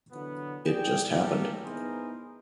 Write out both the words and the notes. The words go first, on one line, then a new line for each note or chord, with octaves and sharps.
It just happened.
D3 E3 F#3 B3
F#1 G#4 D5 G5
A#3 B3 E4 G4 A4 A#4
B3 D#4 E4 G#4 A#4 C5